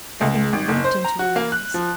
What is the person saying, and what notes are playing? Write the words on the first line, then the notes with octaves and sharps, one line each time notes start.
Agony leaped into her eyes.
C#2
G#1
F#1
C5
A#5
F#4
A#3
F#6
F3